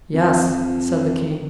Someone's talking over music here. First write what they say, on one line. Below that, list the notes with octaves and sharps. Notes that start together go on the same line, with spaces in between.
"Yes," said the King.
F2